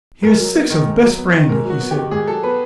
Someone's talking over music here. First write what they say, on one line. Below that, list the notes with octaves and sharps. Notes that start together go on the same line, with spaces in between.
"Here's six of best brandy," he said.
G#2 A#4
F#3
B3
D#3
G#2
F#3
B3
D#3
G#2 A#4
F#3
F#4
B3
G4
D#3
G#2 G#4
F#3 A4
B3 B4